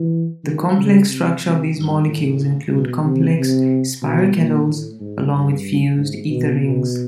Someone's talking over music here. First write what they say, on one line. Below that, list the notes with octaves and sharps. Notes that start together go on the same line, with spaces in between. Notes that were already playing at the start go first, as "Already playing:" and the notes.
The complex structure of these molecules include multiple spiroketals, along with fused ether rings.
Already playing: E3
D#3
C#3
C3
C3
G2
A2
B2
C3
C3
B2
A#2
A2
G#2
G2
G#2
B2
B2